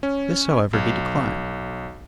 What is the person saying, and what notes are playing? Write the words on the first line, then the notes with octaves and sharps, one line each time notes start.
This, however, he declined.
C#4
B1